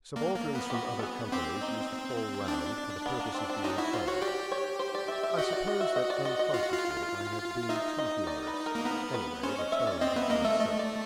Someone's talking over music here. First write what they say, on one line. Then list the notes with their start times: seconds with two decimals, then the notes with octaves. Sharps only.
Subalterns from other companies used to call round for the purpose of being funny; I suppose that unconsciously I had been too humorous--anyway, the tone had been set.
0.16 A#3 D4
0.35 A#3
0.55 B3
0.70 G4
0.74 F#4
0.99 A4
1.03 G#4
1.32 C4 G4
1.61 D#4
2.48 D4
3.06 B3
3.20 A#3
3.34 C4
3.49 C4
3.64 C#4 D#4
3.78 E4 F#4
3.93 F4 C5
4.07 F#4 C#5
4.22 G4 D5
4.52 C#5
4.79 C5
4.95 D5
5.08 E5
5.23 E5
5.37 F#4 D#5
5.53 D5
5.67 D#5
5.81 E5
5.96 D#5
6.10 D5
6.25 D#5
6.39 D#5
6.54 F4
6.64 F#4
6.73 F4
7.69 D#4 E5
7.98 D#5
8.27 D5
8.47 B4
8.66 A#4
8.75 A#3
8.85 B3 A#4
9.14 B4
9.43 C#4 C5
9.58 D#5
9.72 E5
9.87 D5
10.01 C4 D#5
10.16 B3 E5
10.30 A#3 D#5
10.45 A3 E5
10.59 A3 D#5
10.79 D5